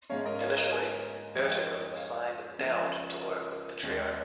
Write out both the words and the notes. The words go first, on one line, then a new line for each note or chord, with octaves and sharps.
Initially, Ertegun assigned Dowd to work with the trio.
G#2 G#3 C#4 C#5 F5
A#4 D#5
C#5 F5
A#4 D#5
D#5 G#5
F2 D#3 G#3 C#4
A#4
C#5
D#5
C#5 F5
C#2 C#3 F3 G#3 C#4
A#4 D#5
D#2 D#3 G#3 C#4